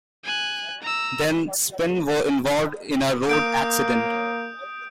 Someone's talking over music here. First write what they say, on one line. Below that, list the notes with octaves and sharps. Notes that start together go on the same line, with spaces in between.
Then, Sp!n were involved in a road accident.
G#5 F#6
A#5 E6
A#3 D#6 G6 D7